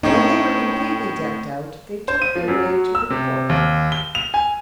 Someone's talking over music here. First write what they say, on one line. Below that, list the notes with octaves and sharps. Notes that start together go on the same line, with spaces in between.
When they were completely decked out, they took their way to the court.
A2 C4 C#4 D#4
C5
D#7
F3
F#2
F#3
E6
C3
D#2
G7
F7
G#5